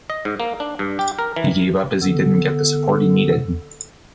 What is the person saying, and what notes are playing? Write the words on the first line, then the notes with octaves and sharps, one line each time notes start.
He gave up as he didn't get the support needed.
D#5
G#2
A#3
D4
G2
G4
A#4
E3
D3 B3 A4